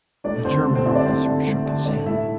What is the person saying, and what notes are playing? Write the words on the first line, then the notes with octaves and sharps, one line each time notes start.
The German officer shook his head.
A3 D4 D5
D3 C4 C5
A3 A4
C4 C5
D3 E4 E5
D4 D5
A3 C4 C5
D3
A3
D3
A3 D4 D5
A2 E4 E5